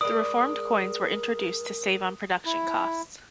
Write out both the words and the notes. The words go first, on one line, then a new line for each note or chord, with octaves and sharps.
The reformed coins were introduced to save on production costs.
G#3 A#4 B4 D5 D#6
E4